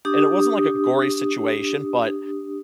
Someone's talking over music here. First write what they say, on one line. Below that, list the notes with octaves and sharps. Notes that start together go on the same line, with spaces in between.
and it wasn't, like, a gory situation, but
D4 G4 D#6